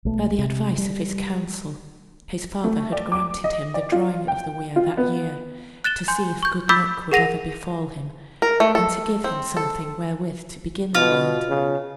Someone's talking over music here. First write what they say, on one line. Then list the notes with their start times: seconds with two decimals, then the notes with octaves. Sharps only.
By the advice of his council, his father had granted him the drawing of the weir that year, to see if good luck would ever befall him, and to give him something wherewith to begin the world.
0.05 B1 A3
0.38 C3
0.78 G3
2.64 A3
2.92 D5
3.12 D6
3.44 D#5
3.74 D5
3.92 F4
4.28 G5
4.76 F4
4.97 B3
5.84 F#6 A6 E7 G7
6.08 G#5 C6 G6
6.43 C#6 G6
6.69 B5 D6 E6 G6 A6 B6
7.12 G#4 A#4 F#5 A#6 D#7 F7
8.42 A#4
8.60 A3
8.75 A4
9.24 C4
9.57 A4
10.95 B2 F4
11.48 C#3